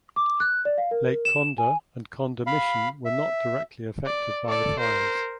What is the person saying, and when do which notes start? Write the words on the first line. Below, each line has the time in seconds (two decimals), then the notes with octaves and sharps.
Lake Condah and Condah Mission were not directly affected by the fires.
0.16 D6
0.40 F#6
0.65 D5
0.78 F5
0.91 A#4
1.25 E7
1.58 G#5
2.47 F5 B5
3.05 E5
4.06 D5
4.46 A4 D5
4.80 A#4 C5